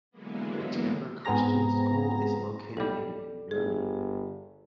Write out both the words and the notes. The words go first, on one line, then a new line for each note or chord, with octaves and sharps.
The Tampere Christian School is located in Nurmi.
D3 E3 F#3 G#3 A#3 B3
G#2 B3 C4 G#4 A#5 A#6
B1 G3 A4 D5
G1 G#4